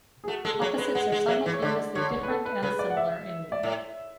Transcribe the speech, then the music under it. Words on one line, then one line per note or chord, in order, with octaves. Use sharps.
Opposites are simultaneously different and similar in meaning.
G#4
A3 F#4
G#3 A4
F#3 C#5
G#3 B4
G#3 F#5
G#3
F#3 E5
E3
C#5
D3 D5
D3 C#5
B4
A4
B4
C#3 B4
D5
F#5
E5
D5
A2 E5